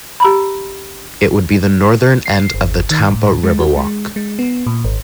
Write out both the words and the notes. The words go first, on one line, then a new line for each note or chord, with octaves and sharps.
It would be the northern end of the Tampa Riverwalk.
G4 A#5 B5
C7
G1
D#3
A2
G#3
F#4
G#3
G#3
B3
A#2
G#1